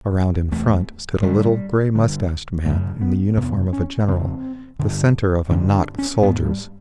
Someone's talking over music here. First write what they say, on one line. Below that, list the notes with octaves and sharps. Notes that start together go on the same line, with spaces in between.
Around in front stood a little, grey-moustached man in the uniform of a general, the centre of a knot of soldiers.
E2 C3 A3
G2 D3 G3
G2 D3
F#2 C#3 A3
B3
F2 C3 B3
C#4
F2 C#3 C4
G2 D3
G2 D3 C#4
D4
C#4
G#2 B3
G3